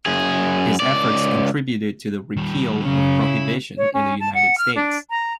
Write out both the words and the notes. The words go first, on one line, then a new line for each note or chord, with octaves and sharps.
His efforts contributed to the repeal of prohibition in the United States.
F#2 G#4
C#2 D5
D#3 G3
C#3 F#3 C#4
E4
C#5
C#4
A5
F#5
F6
D4
A#5